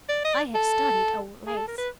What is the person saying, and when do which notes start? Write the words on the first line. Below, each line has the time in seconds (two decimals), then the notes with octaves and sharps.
I have studied old lace.
0.09 D5
0.24 D#5
0.34 D5
0.54 A4
1.47 G#4
1.57 A4
1.67 A#4
1.78 B4